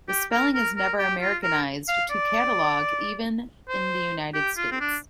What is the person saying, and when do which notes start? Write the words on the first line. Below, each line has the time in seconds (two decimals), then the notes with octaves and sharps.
The spelling is never Americanized to "catalog", even in the United States.
0.08 G4
0.32 A#4
0.54 A#4
0.76 A#4
0.98 G4
1.21 F4
1.43 A#4
1.88 F5
2.10 D5
3.68 C5
4.34 G4
4.57 F4
4.71 C4
4.80 D4